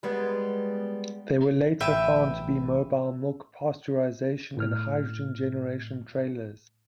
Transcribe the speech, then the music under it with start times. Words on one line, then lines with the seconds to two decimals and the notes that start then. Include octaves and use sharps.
They were later found to be mobile milk pasteurization and hydrogen generation trailers.
0.03 G3 G#3 B3
1.80 A1 B4 E5 G5
4.57 A2 F6